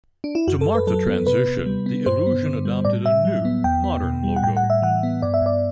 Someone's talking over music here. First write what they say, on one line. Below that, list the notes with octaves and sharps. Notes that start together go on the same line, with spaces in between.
To mark the transition, the Illusion adopted a new, modern logo.
D4
E4
F#2 F#4
A4
F#2
B4
F#3 A4
B3
C3 B4
C3
G3
B3
G2 C5
B3
D3
G3
A2 D5
A2 E5
F#3
B3
E2 G5
B3
B2
G3
F#5
A2 G5
F#5
A2
E5
E3 F#5
B3
G2 D5
E5
G2 D5